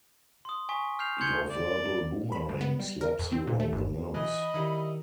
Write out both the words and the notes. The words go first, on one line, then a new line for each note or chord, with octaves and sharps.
Your verbal boomerang slaps you on the nose.
C6 D#6
G#5 C#6 B6
F6 G6 C7 F7
C6 G6 G#6 C#7 G7
D5
B5
G2
B3
G3
A#4
F2
C4
A#2
A3
G1
E3 D#5 B5
D#3 G3 D#4 E4